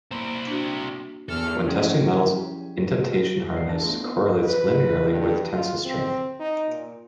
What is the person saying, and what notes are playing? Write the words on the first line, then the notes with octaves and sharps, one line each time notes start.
When testing metals, indentation hardness correlates linearly with tensile strength.
A#3 C4 E4
D4 F#4
E2 A4 E6 F6
F3 C#4 E4 G4 G#4 D5
G2 D#3 A#4 D5 C7
A#1 D4 A5 A#6
A3 B3 D4 E4 F4 A4
A#3 B3 D#4
B4
G2
F4
C4
D#4
A#2